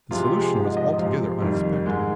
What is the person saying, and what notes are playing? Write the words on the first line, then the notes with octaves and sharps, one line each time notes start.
The solution was altogether unexpected.
C3 F3 G#3 F4
G4
G#4
G#2 F3 G#3 C5
D#5
D#5
D#5
C3 F3 G#3 F5
F2 D#3 G3
G#2 D#3 G#3